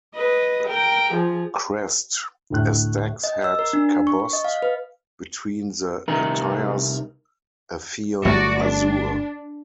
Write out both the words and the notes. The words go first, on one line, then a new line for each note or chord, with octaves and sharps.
Crest: a stag's head cabossed, between the attires a pheon azure.
B4 D#5
A#4 G5
F3 G#4
D2 A2 F#6
D#5
E6
A#4
D4
C#6
D#5
F5
B4
C2 D#4 A#4 E5 A#5
G1 F#3 A3 F#4 D5
D4